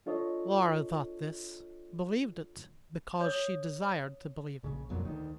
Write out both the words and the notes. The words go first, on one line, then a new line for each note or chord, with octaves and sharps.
Laura thought this, believed it; because she desired to believe it.
D4 F4 A4 C#5 D#5
C#5 D#6
A#1 C#3
D1 F2 A#2 F#3
D2 D#3